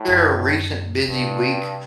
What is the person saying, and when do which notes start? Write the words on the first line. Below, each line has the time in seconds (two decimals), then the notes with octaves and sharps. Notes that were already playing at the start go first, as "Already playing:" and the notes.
There a recent busy week
Already playing: A2
0.08 F#2
1.08 G2 C3